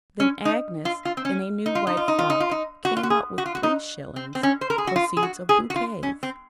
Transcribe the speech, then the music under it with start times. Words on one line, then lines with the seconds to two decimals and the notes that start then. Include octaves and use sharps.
Then Agnes, in a new white frock, came up with three shillings, proceeds of bouquets.
0.20 C#4
0.45 D#4
0.85 F4
1.05 F4
1.17 C4
1.25 C#4
1.66 D#4
1.75 F4
1.87 D#4
1.97 F4
2.08 D#4
2.19 F4
2.30 D#4
2.40 F4
2.51 D#4
2.85 F#4
2.97 F4
3.03 F#4
3.10 G#4
3.38 F#4
3.46 F4
3.55 F#4
3.63 D#4
4.16 C4
4.35 C4
4.43 C#4
4.61 C5
4.70 A#4
4.78 G#4
4.87 F#4
4.96 F4
5.17 G#4
5.23 F#4
5.49 G#4
5.70 F#4
5.76 F4
6.03 C#4
6.23 C4